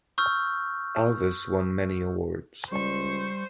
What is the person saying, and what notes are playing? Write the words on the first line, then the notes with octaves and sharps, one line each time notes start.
Alves won many awards.
C#6 E6 F6 G6
C#2 G3 C5 C#6